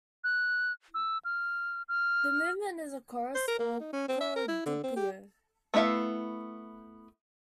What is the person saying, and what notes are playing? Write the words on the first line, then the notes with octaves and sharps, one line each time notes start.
The movement is a chorus, or "coro doppio".
F#6
E6
F6
F6
C5
A#4
A#3
D#4
C#4
C4
E5
A#4
E4
D3
C4
G4
A3 B3 E4 E5 F5